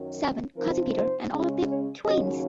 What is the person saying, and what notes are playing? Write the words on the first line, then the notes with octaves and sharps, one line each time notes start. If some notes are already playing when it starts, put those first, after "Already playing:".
Seven, Cousin Peter, and all of them twins!
Already playing: F#2 D#3 F#3 C#4
C3 F3 C4 D#4 A#4
C5
C#3 G#3 C#4
C#5
D#2 C#3 F#3 C#4 D#5